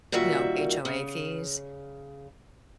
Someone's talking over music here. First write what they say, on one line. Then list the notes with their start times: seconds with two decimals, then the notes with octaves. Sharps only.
you know, HOA fees,
0.12 A#2 D#3 G3 F#4 E5
0.85 C#3